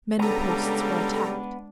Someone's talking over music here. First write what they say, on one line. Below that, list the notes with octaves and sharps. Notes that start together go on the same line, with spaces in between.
Many posts were attacked.
C#3 G3 G#3 B3 D4 A4 A#5